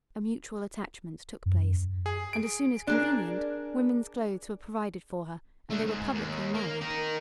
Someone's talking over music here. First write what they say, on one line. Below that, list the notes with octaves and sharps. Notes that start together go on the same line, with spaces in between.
A mutual attachment took place, and, as soon as convenient, women's clothes were provided for her, and they were publicly married.
F#2
G#4
D7
D4 G#4 A#4
A3 D4
G#2
D#2
A#3 A#4
D#4 A#4